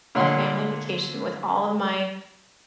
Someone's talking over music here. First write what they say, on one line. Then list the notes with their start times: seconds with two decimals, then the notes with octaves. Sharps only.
a family vacation with all of my
0.15 A#2 D3 C#5 F#5 C6